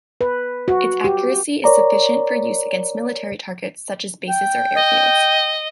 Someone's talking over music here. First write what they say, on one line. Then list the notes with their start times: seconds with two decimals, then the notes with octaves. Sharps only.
Its accuracy is sufficient for use against military targets such as bases or airfields.
0.21 B4
0.68 F#4
1.04 G4
1.64 A#4 C#5 D5 A#5
4.29 G5
4.75 D#5